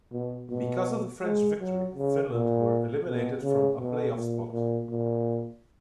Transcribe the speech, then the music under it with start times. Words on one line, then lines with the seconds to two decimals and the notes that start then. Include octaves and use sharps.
Because of the French victory, Finland were eliminated from a playoff spot.
0.13 B2
0.49 B2
1.23 G#3
1.60 F#3
1.96 C#3
2.33 A#2
3.06 B2
3.43 C#3
3.80 B2
4.16 A#2
4.52 A#2
4.90 A#2